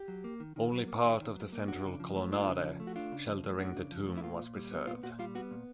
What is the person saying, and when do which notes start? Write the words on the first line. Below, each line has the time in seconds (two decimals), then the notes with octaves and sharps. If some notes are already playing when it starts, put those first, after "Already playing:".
Only part of the central colonnade, sheltering the Tomb, was preserved.
Already playing: G4
0.08 F#3
0.24 A#3
0.40 D#3
0.56 D#3
0.72 F#3
0.88 A#3
1.05 D#3
1.20 D#3
1.36 F#3
1.53 A#3
1.68 D4 F#4
1.84 C#3
2.00 F3
2.15 A3
2.32 D4 F4
2.48 C#3
2.64 F3
2.80 A3
2.87 F#4
2.96 D4 F4
3.12 C#3
3.27 F3
3.43 A3
3.59 D4 F#4
3.76 C#3
3.92 F3
4.07 A3
4.17 E4
4.23 A#2 F4
4.39 A#2
4.56 G3
4.71 B3
4.87 A#2 F4
5.03 A#2 F#4
5.19 G3 F4
5.35 B3 F#4
5.51 A#2